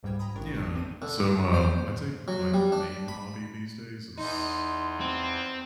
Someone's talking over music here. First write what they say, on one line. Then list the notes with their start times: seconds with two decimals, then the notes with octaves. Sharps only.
Yeah, so, um, I'd say my main hobby these days is
0.03 C#2 G#2 G3 G5 G#6
0.19 G5 A#5 B5 D#6
0.36 A1 D4 A#4 C#6
0.51 D#3 D4
0.63 A5
0.75 C4 D#7
1.02 D3
1.54 C5
2.28 F#3
2.54 G3
2.72 D4
3.08 B5
4.18 E2 D#4 C6
5.01 C4